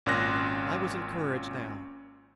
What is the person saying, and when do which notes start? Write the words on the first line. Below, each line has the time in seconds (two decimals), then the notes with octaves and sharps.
I was encouraged now.
0.06 G#1 A#2 C#4 C6 F#6 A#6